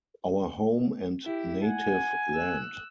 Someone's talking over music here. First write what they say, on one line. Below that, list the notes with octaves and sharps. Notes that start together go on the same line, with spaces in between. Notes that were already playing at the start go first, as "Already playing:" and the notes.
Our home and native land!
E4 G4
F#5 G#5
E6 F#6